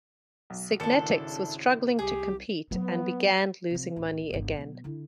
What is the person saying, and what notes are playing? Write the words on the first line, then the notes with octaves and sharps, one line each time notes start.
Signetics was struggling to compete, and began losing money again.
B1
G#1 C#3 A#3 D4 E4 A4 C#7
C2 G4 G#4
F#3 A#3 B3
C3 F3
D1 A1
G1 C2
B2 F#3
D3 E4